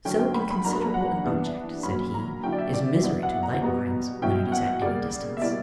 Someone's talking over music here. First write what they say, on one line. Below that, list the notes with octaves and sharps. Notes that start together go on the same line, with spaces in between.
So inconsiderable an object, said he, is misery to light minds, when it is at any distance.
D3 F#3 C#4 G5
G5
B5
B5
F#3 A#3 D4 A#5
B5
A#5
F#5
E3 G3 B3 D4
A#2 F#3 C#4 B5
A#5
D3 F#3 C#4 E4 G5
D5
E5
D5
B2 F#3 B3 E4 D5
F#5
A#5
B2 G3 B3 A#5
B2 F#3 C#4 E4 G5
F#5
C#3 G3 A#3 D5
E5
B2 G3 A#3 E4 D5